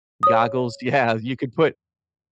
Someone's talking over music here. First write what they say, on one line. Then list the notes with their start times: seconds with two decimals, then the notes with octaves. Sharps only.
goggles Yeah you could put
0.23 C#5 D#6